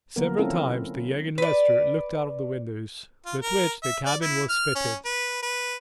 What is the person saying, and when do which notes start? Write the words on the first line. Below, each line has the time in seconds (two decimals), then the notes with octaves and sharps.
Several times the young investor looked out of the windows with which the cabin was fitted.
0.16 D3 F#3 A#3 B3 A#4
0.38 C4 C#4 E4 F4 A4 A#4
1.38 B4 D5
3.26 F4
3.42 A#4
3.84 E5
4.06 D5
4.22 E4
4.49 F6
4.75 C#4
5.05 B4
5.42 B4